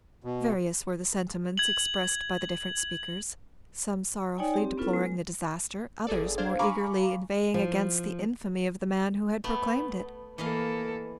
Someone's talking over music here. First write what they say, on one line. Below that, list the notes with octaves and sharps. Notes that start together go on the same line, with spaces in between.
Various were the sentiments expressed by the different speakers,--some sorrowfully deploring the disaster; others more eagerly inveighing against the infamy of the man who had proclaimed it.
B2
G#6 F#7
D#4 C#5 D5 G5 G#5
C4 G4
B3 C#4 E4 F4 A4 B4
G#3
G1 G#4 A4 D5
D4 C5 F5 G#6
F5 G#5 A#5 B5 C#6 D6
F3
A3 B3
E3 A#3 A4 D#5 F5